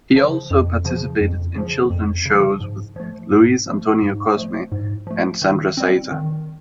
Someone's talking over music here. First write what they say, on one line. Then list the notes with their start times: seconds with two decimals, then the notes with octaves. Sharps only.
He also participated in children's shows with "Luis Antonio Cosme" and Sandra Zaiter.
0.15 C#3 F3
0.51 F2
0.85 C#3 F3
1.21 F2
1.55 C#3 F3
1.90 F2
2.26 C#3 F3
2.61 G#2
2.96 F3 A3
3.31 G#2
3.66 F3 A3
4.02 G#2
4.37 F3 A3
4.72 G#2
5.07 F3 A3
5.42 D#3
5.77 G3 C4
6.12 D#3